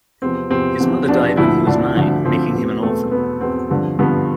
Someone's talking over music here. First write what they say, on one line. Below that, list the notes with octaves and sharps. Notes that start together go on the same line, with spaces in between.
His mother died when he was nine, making him an orphan.
E2 C3 F3 C4
E2 C3 F3 C4
E2 C3 F3
E2 C3 F3 D4
D2 D3 F3 E4
D2 D3 F3 D4
D2 D3 F3
D2 D3 F3 C4
E2 B2
E2 B2 A3
E2 B2 B3
E2 B2 C4
G2 D3 F3
G2 D3 F3 B3